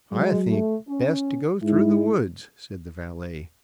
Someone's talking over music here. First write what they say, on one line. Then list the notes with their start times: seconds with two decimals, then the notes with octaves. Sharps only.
"I think best to go through the woods," said the valet.
0.12 F#3 G#3
0.50 A3
0.88 C#4
1.63 G#2 E4